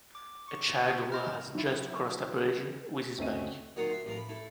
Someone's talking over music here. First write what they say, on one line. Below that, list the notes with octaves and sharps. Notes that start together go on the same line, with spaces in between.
A child who has just crossed a bridge with his bike.
D6
C#6
E4 C5 D#5 F6
F#3 E4
D2 A3 C4 C#4 D#5 D#7
A#2 D#3 F#3 F4 F#5 D#6
C5 E5
A1 F2 F3 A#4
B5
A3 E4